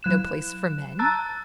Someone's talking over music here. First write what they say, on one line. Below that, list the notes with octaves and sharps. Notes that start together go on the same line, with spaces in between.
No place for men?
F#3 F#6 E7
A5 A#5 E6 F#6 A6